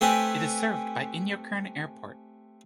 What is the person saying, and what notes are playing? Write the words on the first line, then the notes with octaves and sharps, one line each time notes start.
It is served by Inyokern Airport.
A3 C4 G4 A4 B4 G#5